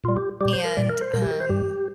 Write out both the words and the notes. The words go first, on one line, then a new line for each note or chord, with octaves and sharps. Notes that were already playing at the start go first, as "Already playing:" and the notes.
and, um,
A#2 G3 F4
G4
A#2 G3 G4
C5
A#4
A#2 G3 D5
A#4
C5
A#2 G3 A#4
G4
A#4
C5
G2 G3 G4